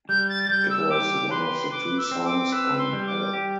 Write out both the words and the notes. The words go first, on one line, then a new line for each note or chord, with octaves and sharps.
It was one of the two songs on Help!
G3 G6
A6
A6
G3 G6
E6
G4 D6
B4 C6
B4 D6
E6
C4
D6
B4 E6
C6
G3
D6
G4